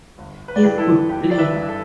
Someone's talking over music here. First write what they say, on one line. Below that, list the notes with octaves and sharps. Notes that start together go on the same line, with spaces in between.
He could play.
G1
B4
D5
G2 E3 G4 B4
E4 A4
G1 G4
D5
B4 E5
G2 E3
A4